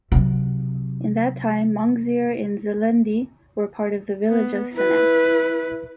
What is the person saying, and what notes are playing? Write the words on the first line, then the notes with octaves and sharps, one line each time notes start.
In that time, Monxiar and Xlendi were part of the village of Sannat.
C3 F#3
B3
E4 B4